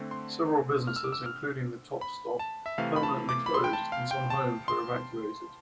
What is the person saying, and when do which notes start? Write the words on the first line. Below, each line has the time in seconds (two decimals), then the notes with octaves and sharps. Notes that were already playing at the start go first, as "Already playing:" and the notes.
Several businesses, including the Top Stop, permanently closed, and some homes were evacuated.
Already playing: D3 A3 C4
0.11 C6
0.87 F6
0.96 E6
1.04 D6
1.12 E6
1.26 F6
2.01 B5
2.39 A5
2.66 E5
2.78 C3 E3 A3 F5
2.96 B5
3.03 A5
3.29 D6
3.46 B5
3.54 C6
3.64 G5
3.73 A5
3.92 F5
4.11 G5
4.30 A5
4.68 C6